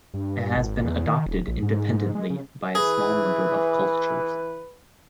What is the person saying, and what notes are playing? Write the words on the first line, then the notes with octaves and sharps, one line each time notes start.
It has been adopted independently by a small number of cultures.
G2
G#1
E2
D#3
D#1
A#1
G#2
G#3
C#3
E3 G#4 B4